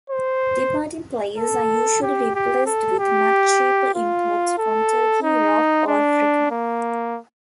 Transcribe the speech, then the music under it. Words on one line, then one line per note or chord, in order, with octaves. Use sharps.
Departing players are usually replaced with much cheaper imports from Turkey, Europe or Africa.
C5
A4
G4
G4
A4
G4
F4
A4
D#4
D4
A#3